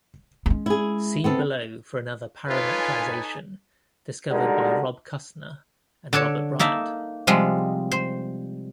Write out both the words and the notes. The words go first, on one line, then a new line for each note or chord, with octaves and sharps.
See below for another parametrization, discovered by Rob Kusner and Robert Bryant.
G#3 C#4
E4 G#4
B3 C4 A4
D#4 F4 A4 B4 C#5 G#5
D3 G3 G#3 D#4 F#4 A#4
D3 D4 A4 C#5
A#3 D#4 E5 A5
C3 F3 G3 G#3
C5